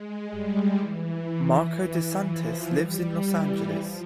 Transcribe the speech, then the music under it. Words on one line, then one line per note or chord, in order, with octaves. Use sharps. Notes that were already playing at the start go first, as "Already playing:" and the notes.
Marko DeSantis lives in Los Angeles.
Already playing: G#3
G3
E3
E3
F3
G3
E3
F3